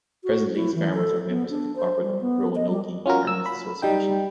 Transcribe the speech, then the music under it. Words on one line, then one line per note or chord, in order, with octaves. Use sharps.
Presently, its farmers are members of the cooperative Roanoke Farmers Association.
F#4
E4
E3
A4
B3
D4
C5
G3
B3
D#5
G3
C#4 F4 F#4 A#4
E6
B5
G3 D#4 G5